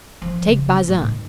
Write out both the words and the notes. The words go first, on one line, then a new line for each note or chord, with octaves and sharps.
"Take Bazin."
F3
C#3
C#4
A2
D#3